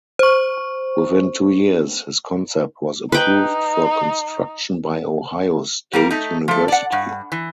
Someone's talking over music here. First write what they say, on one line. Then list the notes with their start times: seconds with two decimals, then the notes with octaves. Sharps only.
Within two years, his concept was approved for construction by Ohio State University.
0.19 C5 C#6
3.12 D#4 B4 G5
5.93 G3 A#3 A#4
6.11 A3 D#4
6.48 F3 A3
6.68 D5 F#5
6.92 G2
7.32 E3